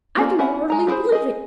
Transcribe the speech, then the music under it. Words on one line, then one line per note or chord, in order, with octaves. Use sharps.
I can hardly believe it!
A#3 C4 C#4 F4 D5
C#4 E4 E5 F#5
G#3 A#5
G3 B3 E4 G#4 C5
G#4 D#5